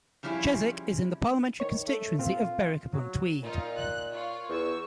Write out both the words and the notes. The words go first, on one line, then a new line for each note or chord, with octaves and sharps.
Cheswick is in the parliamentary constituency of Berwick-upon-Tweed.
C#3 F3 G3 C#4 E4
D#3 C#5
A3
A#2 C4 F4
F#3
A#2 D#4 F4
F#6
F4 C#5 F5
E2 C#6 E6